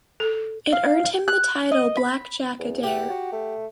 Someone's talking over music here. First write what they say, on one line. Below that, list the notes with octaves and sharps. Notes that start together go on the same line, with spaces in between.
It earned him the title "Black Jack Adair".
A4
F5
F#6
D#5
B5
E2
G4 F#5
F#4
A3